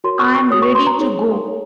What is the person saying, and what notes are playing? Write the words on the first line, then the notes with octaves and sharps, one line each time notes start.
I'm ready to go.
F#4 A#4 C#5 C6
C#6
C#6
F#4 A#4 C#5 D#6
C#6
C6
A#5
D#4 G#4 C#5
D#4 G#4 C#5